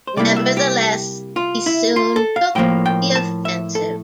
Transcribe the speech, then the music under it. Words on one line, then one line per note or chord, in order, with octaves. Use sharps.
Nevertheless, he soon took the offensive.
C5
C3 G3 A#3 E4 D5
E5
G4
F4
E4
F4
A4
F5
A2 F3 A#3 G5
G5
A5
E5
A4